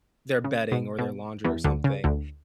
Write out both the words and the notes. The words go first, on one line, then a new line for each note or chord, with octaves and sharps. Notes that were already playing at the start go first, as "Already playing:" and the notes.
their bedding or their laundry or something,
C#3
B2
B2
E2 E3
D2 D3
C#3
D2 D3